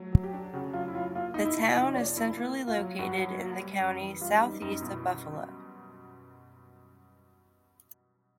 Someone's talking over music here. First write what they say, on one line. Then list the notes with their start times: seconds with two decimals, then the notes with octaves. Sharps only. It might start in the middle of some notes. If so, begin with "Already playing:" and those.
The town is centrally located in the county, southeast of Buffalo.
Already playing: F#3 A3
0.13 F#3
0.23 G4
0.33 D4
0.53 C#3 F#4
0.74 F#3 F4
0.88 E4
0.94 F#3 F4
1.15 A#3 F4
1.34 A#3 D#4
1.45 E4
1.56 C3
1.76 F3 D#4
1.93 C#4
1.96 A#3 D4
2.17 A#3 E4
2.37 A#3
2.58 A#3
2.67 F4
2.78 F#3
2.99 G2 F#4
3.19 F#3
3.39 A#3
3.61 G3
3.80 F#2
4.01 E3
4.21 G3 F4
4.41 G3 D#4
4.62 F#2 D#4
4.82 B2 E4